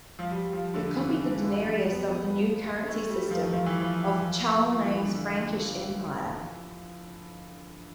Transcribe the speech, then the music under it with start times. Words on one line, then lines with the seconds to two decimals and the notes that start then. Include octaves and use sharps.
It copied the "denarius" of the new currency system of Charlemagne's Frankish Empire.
0.19 F3
0.31 G3
0.53 F3
0.74 D3
0.96 E3
1.54 G3
1.60 F3
1.75 G3
1.91 B3
2.08 B3
2.88 A3
3.10 G3
3.31 F3
3.53 F3
3.66 E3
3.81 F3
4.71 F3
4.81 E3
5.02 D3